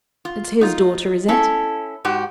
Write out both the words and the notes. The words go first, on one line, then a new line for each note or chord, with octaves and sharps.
It's HIS daughter, is it?'
F4
D#4 F4
C#4 E4 A4
G#2 F#4 G4